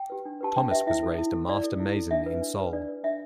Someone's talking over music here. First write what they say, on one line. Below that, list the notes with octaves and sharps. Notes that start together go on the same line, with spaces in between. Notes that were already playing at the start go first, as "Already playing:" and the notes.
Thomas was raised a Master Mason in Sol.
Already playing: G5
G4 B4
D4
G4 B4 A5
D4 G5
G4 B4 E5
E4 E5
A4
E4
A4
E4 D5
A4
E4
A4
D4 E5
B4
D4
B4
D4 D5
B4
D4 E5